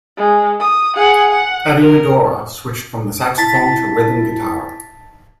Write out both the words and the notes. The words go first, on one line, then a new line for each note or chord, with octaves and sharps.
Eddy Medora switched from the saxophone to rhythm guitar.
G#3
D#6
G#4 F#5
F#5
A#4
E4 A5 A6 B6